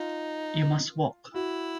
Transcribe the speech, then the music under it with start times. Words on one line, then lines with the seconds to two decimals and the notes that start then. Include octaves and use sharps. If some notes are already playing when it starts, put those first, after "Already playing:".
You must walk.
Already playing: D#4 F4
1.34 E4 F#4